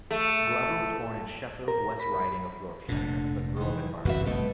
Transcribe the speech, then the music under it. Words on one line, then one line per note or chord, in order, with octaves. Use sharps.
Glover was born in Sheffield, West Riding of Yorkshire, but grew up in Barnsley.
A3
A#4
B5
F1 A#2 D3
D#3 E3
G1 C2 F#2 E3 F#4 E5
B2 A3